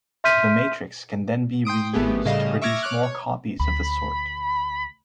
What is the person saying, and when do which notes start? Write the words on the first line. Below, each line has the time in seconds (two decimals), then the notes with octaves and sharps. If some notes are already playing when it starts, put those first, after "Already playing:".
The matrix can then be reused to produce more copies of the sort.
0.24 E5 C6 F6 G6 B6 D#7
1.65 G5 C6 D#6 D7
1.93 G#1 A3 B3 G4 G#4
2.25 A2 C#3 G3 D#5 F5 E7
2.62 E5 C#6 D6 F6 G#6 A#6
2.83 C#5 D6 F6 F#6
3.03 C#5
3.60 D2 B5